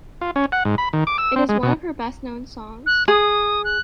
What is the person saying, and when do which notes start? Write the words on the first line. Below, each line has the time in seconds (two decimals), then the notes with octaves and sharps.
It is one of her best-known songs.
0.21 F4
0.36 C#4
0.52 F#5
0.65 G#2
0.78 B5
0.93 D#3
1.07 D6
1.18 E6
1.36 C4
1.49 G#3
1.63 B2
2.86 F#6
3.08 G#4 D#6
3.65 F#6